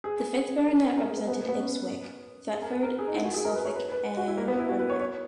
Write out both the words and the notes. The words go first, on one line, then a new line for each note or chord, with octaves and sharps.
The fifth Baronet represented Ipswich, Thetford and Suffolk in Parliament.
G#4
A#4
A#4
A#4
G#4
B3
B3
A#3
B3
C#4
G#4
A#4
B4
A#4
G#4
D#4
E4
F#4
G#4
A#4
B4
C#5
B4
B4
F#4
E4
A#3
B3
E4
F#4
B4
C#5
C#5